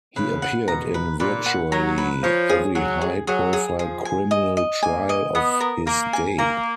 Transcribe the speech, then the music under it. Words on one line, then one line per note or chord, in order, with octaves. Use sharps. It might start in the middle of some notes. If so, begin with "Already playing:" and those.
He appeared in virtually every high-profile criminal trial of his day.
C#3 B4
F#5
B2 A#5
B4
A#2 B4
F#5
F#3 A#5
B4
F3 C#5
G#4
F#3 G#4
G#4
F#3 G#4
G#4
F3 G#4
G#5
D#5
D#5
A#3 G#5
D#5
B3 D#6
A#4
A#3 A#4
G#5
A#3 A#5